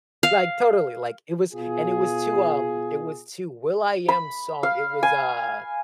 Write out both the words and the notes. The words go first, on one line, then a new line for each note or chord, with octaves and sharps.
Like, totally, like it was and it was to, um it was to will.i.am song, it was, uh
F5
B2 F4 G#4
B5
F5
G#5